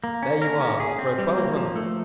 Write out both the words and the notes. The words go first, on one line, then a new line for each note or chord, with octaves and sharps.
There you are, for a twelvemonth!
A#3
C#4
A#4
C#4
G#4
C4
G3
A#3
F3
A3